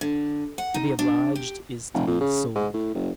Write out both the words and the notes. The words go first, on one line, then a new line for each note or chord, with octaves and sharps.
To be obliged is to be sold.
D3
F#5
D#4
D4
G4
F1
F2
C#3
G#2
A2
F#1